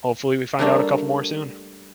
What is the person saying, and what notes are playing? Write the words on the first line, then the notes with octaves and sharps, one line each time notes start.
hopefully, we find out a couple more soon.
G3 A3 A#3 D4